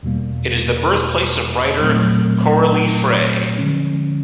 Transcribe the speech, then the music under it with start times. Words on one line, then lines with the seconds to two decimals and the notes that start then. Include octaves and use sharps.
It is the birthplace of writer Coralie Frei.
0.03 E2 B2 G3 A#3
1.80 A#2 F#3 A3 C4
3.58 D3 F3 G#3 C#4